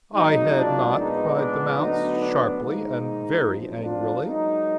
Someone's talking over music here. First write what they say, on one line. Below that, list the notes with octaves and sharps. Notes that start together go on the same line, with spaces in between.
'I had NOT!' cried the Mouse, sharply and very angrily.
G#1 G#2 F#3 A#3 D#4
D4 F4
A#1 A#2 G#3 B3 D#4
D4
D2 D3 F#3 B3 D#4
D4
G#2 D#3 A#3 D#4
G#1 F#2 F3
D4 F4
G#2 F#3 A#3 D#4